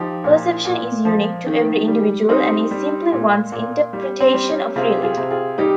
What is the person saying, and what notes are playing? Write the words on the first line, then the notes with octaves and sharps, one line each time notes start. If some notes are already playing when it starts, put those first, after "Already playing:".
Perception is unique to every individual and is simply one's interpretation of reality.
Already playing: F3 D#4 G4
A#2
A#2
F3
D#3
G3
G3 C4 D#4
G3
A#2
A#2
G3
C4
G3
C#4
C3 F4 G#4
G4
F4 G#4
C3
F4 G#4
G3 D#4 G4